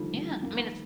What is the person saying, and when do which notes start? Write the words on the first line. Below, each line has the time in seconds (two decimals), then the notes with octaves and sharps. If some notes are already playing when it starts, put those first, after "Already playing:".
Yeah, I mean, it's
Already playing: D#2 D3 D#3 F3 G3 A3
0.14 D#2
0.43 A#3